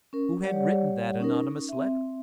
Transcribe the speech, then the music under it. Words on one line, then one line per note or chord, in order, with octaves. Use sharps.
Who had written that anonymous letter?
C#4 A#4
G3 G4 C#5 D5 F#5
C#4 D#4 A#4
C4 E5